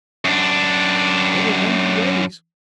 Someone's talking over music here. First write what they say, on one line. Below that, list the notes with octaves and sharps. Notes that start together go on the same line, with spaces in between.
Better mend your ways.
F#2 D4